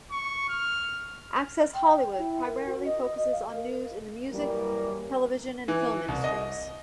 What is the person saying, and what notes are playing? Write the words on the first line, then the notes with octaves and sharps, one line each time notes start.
"Access Hollywood" primarily focuses on news in the music, television, and film industries.
C#6
F6
G5
E4
A#4
F#4
D#5
F5
A#4
F#2 E3 G3 A#3
E3
C2
D#5